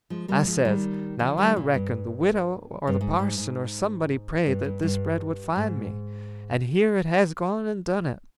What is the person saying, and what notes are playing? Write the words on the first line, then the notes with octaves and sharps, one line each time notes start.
I says, now I reckon the widow or the parson or somebody prayed that this bread would find me, and here it has gone and done it.
F3 G#3
G3 A#3
F3 G#3
D#3 G3
D3 F3
D#3 G3
A#2
G2
G2
G#2
G#2
G#2
G2
G2
G2
G#2